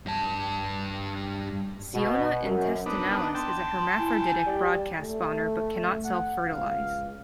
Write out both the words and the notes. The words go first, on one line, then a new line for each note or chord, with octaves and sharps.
"Ciona intestinalis" is a hermaphroditic broadcast spawner but cannot self-fertilize.
G2 A5
B2
F#2
B3 D4 D#4 A5
G5 A5 C6
E4 G#5
G3 D5
A3
F#5
C#2 F5